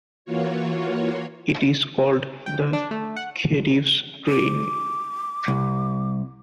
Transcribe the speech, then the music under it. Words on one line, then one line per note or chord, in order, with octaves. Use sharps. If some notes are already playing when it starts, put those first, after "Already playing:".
It is called the Khedive's Train.
E3 A#3 F4 F#4 C#5
G5
D3
D4
A3
F#5
D6
C2